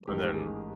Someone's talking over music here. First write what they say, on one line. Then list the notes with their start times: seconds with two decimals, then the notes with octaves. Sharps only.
And then
0.07 A1 G#2 D#3 G4
0.24 G4
0.34 G#4